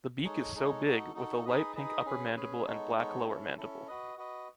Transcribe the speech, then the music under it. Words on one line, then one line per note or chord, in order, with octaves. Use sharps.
The beak is so big with a light pink upper mandible and black lower mandible.
G#3 D#4 A4 C#5
G#3 D#4 A4 C#5
D#4 F#4 A4
D#4 F#4 A4
D#4 G#4 B4 D#5
D#4 G#4 B4 D#5
C#4 G#4 B4
C#4 G#4 B4
G#3 B3 D#4 A4 C#5
G#3 B3 D#4 A4 C#5
C#4 E4 A4
C#4 E4 A4
F#4 B4 D#5
F#4 B4 D#5